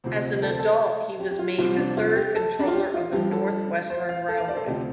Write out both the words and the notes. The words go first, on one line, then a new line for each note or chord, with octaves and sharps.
As an adult, he was made the third Controller of the North Western Railway.
D2 C3 F3 C5
A4
C5
A4
G4
G4
F4
C2 C3 F3 F4
D4
F4
G4
A4
D4
F4
G4
F4
G2 F3 G4
A4
C5
F5
A4
F5
D5
C5
A4
D2 C3 F3 G4